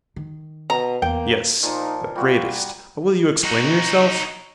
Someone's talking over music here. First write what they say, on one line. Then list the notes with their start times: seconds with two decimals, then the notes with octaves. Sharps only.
Yes, the greatest; but will you explain yourself?
0.16 D#3
0.70 B2 A#5
1.02 E2 A#3 C4 G5
1.63 A#2 F3 D#4
2.15 G3 F4 F#4
3.44 D#4 F#4